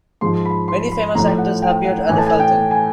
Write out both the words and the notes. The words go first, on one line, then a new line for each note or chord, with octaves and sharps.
Many famous actors have appeared at the Fulton.
G#2 F3 G#3 C6
B5
C6
B5
A2 F3 A3 A#5
F#5
G5
F#5
A2 E3 A3 G#5
A5
G#5
G5
G#5